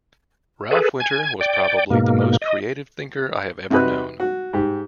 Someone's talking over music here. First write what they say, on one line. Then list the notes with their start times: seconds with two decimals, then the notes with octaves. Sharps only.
Ralph Winter was probably the most creative thinker I have ever known.
0.71 G#4 A4 B4
1.00 G#5 G#6
1.41 D5 G5
1.90 G#2 B2 A#3
2.42 D#5
3.70 C3 D#4 F#4 B4 F#6
4.20 F#4
4.53 G#2 G4